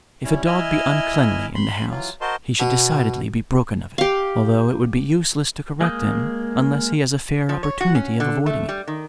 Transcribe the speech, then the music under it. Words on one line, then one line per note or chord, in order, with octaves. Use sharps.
If a dog be uncleanly in the house, he should decidedly be broken of it, although it would be useless to correct him unless he has a fair opportunity of avoiding it.
G3 C#4 E4
E4 D#5 E5 G#5 F6
B5 C6
E3 F#3 F4
F#4 A#4 C5 D#5 A5 C6
B2
G4 F5
G#3 A#3 D#6 G6
F3
C#5
F#4
C#4
D3
A3
G3
D#3